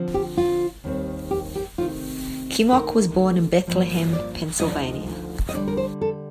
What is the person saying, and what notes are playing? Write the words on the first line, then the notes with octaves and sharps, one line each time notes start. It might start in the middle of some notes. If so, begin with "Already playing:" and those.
Kimock was born in Bethlehem, Pennsylvania.
Already playing: D3 F3 C4
G4
F4
D#2 D#3 G3 C4
G4
G4
C3 D#3 A3 C4 D#4 F4
D3 A3 D#4 A#4
G2 F3 A#3
D#5
D5
D2 D3 F3 A#3 D#4 D#5
D5
D#5
D#5
D3 G3 D4 D5
A#4
C5
A4